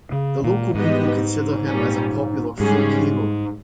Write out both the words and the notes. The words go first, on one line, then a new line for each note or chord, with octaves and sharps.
The local people consider him as a popular folk hero.
C#3
A#2
G#2 G3 B3 G4 B4 D#5
A#2 G3 C#4
G#2 C#3 G3 C#4 G#4